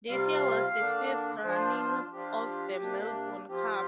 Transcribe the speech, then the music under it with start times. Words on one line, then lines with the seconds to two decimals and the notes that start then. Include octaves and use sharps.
This year was the fifth running of the Melbourne Cup.
0.08 C3 G3 C4 F4 F5
0.77 D3 A#3 D4
1.44 F3 D4 F4 C5
2.12 F3 D4 F4 G4
2.81 C3 A#3 D4
3.48 F3 C4 F4 G4